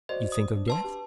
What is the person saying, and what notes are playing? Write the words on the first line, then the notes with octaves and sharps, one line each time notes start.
"You think of death?"
F#4 C5 D5 D#5
D#6
D4
B4 A5 C6
G4